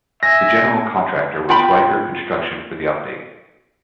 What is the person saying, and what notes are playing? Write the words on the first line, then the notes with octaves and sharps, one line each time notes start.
The General Contractor was Reicker Construction for the update.
E5 G#5 A#6
F4 G5 B5